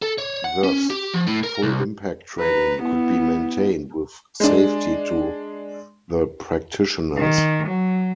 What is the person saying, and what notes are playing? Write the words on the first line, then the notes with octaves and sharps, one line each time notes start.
Thus, full impact training could be maintained with safety to the practitioners.
A4
C#5
F#5
C#4
G4
F3
A2
A#4
C2
B4 A#5
B3 E4
G#3 D4
D#3
F#3